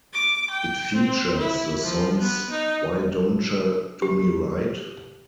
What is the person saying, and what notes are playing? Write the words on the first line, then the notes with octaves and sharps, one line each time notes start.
It features the songs Why Dontcha Do Me Right?
D6
G5
C4
E4
F3
B3
D#4
G4